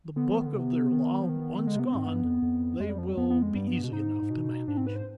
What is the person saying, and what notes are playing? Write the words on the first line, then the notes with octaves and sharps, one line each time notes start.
The Book of their Law once gone, they will be easy enough to manage.'
D3 B3
F3
D#3
D3
C3
D#3
F3
D#3
D#3
D3 G#3
C3 B3
G#2 C4
G2 B3
F2
F2
F2 G#3
G3
F3
G3
F2 B3
B3
G#3
G2 G3
B3
B2
G#2 D#4
G#2
B2
G#2 D4
C4
B4
C5